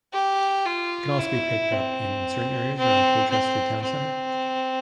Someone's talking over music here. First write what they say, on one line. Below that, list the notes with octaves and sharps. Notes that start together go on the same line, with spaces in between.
It can also be picked up in certain areas around Colchester Town Centre.
G4
F4
E4
C4
C4
C4
C4